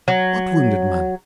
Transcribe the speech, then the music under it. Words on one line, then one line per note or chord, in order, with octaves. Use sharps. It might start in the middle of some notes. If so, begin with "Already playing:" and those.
"What wounded man?"
F#3